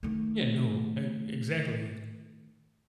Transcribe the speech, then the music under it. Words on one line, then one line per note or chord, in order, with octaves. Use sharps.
Yeah, no, e exactly.
D#3 A3